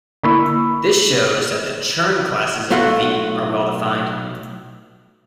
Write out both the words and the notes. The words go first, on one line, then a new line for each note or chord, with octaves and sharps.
This shows that the Chern classes of "V" are well-defined.
D3 A#3 E4 B5 C#6 E6
B1 A3 F4 F#4 C#5 F#5